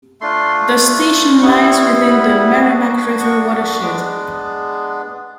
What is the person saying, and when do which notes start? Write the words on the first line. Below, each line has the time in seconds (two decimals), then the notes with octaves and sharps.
The station lies within the Merrimack River watershed.
0.21 A3 D4 F4 C6
1.41 G3 B3 E4 C#6
1.71 C#6
1.86 C6
2.02 B5
2.61 B3 D4 F#4
3.21 C#6
3.81 G#3 B3 D4 D6